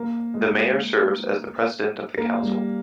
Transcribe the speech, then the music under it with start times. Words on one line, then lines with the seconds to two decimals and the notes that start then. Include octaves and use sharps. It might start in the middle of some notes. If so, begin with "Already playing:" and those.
The mayor serves as the president of the council.
Already playing: A#3
0.34 G#3
0.44 A#3
2.18 A#3
2.43 G3